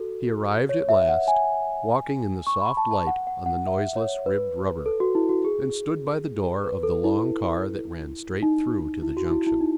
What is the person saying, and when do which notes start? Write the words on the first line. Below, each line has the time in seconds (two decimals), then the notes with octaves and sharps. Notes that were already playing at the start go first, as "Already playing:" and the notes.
He arrived at last, walking in the soft light on the noiseless ribbed rubber, and stood by the door of the long car that ran straight through to the Junction.
Already playing: F#4 A4
0.69 C#5
0.89 E5
1.09 F#5
1.28 G#5
2.47 C#6
2.61 B5
2.77 A5
2.91 A5
3.07 F#5
3.27 F#5
3.46 F#5
3.67 E5
3.96 C#5
4.26 B4
4.86 A4
5.00 F#4
5.15 E4
5.29 F#4
5.45 G#4
6.64 B4
6.83 A4
7.04 E4
8.43 D#4
9.02 E4
9.17 F#4
9.31 E4
9.47 E4
9.61 D#4